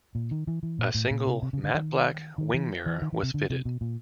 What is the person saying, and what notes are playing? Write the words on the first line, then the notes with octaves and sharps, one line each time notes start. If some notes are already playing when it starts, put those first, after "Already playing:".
A single matte black wing mirror was fitted.
A#2
D#3
E3
E3
A#2
A2
A#2
C3
C3
C#3
D3
D#3
D#3
E3
E3
D#3
E3
C3
D3
C3
B2
A#2